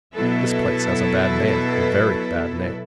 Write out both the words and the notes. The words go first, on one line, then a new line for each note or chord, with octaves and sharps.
This place has a bad name,--a very bad name.
B2 F#3 E4 A4 B4 E5